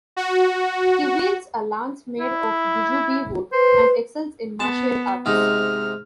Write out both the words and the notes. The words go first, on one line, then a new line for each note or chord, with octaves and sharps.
He wields a lance made of jujube wood and excels in martial arts.
F#4
E4
B4 C5
B3 A5
G#2 C3 D#4 F6